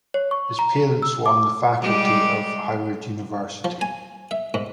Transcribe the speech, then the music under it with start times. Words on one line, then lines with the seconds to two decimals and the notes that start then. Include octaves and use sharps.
His parents were on the faculty of Howard University.
0.14 C#5
0.31 C#6
0.59 A#5
1.02 E6
1.26 D6
1.81 G3 G#3 G4
3.64 F3
3.81 G#5
4.31 E5
4.54 G#2